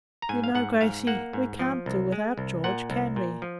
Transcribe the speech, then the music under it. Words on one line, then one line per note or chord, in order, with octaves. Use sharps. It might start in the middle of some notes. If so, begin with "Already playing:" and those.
'You know, Gracey, we can't do without George, can we?
A#5
G#2 G#5
F5
G#2 F#5
G#2 F5
A#3 F#5
G#2
F3
C2
G#3
C2
A#2 F#5
C2
A#2
F3